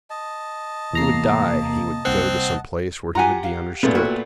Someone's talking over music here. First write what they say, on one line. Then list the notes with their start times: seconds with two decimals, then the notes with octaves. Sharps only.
He would die; he would go to some place where he would be understood.
0.10 D#5 A5
0.93 E2 C3 A#3 A#5 C7
2.05 C2 C4 F#5
3.15 F4 G4 F#5 G#5 A#5
3.44 F5
3.83 A#2 A3 B3
3.95 C4 E4 F#4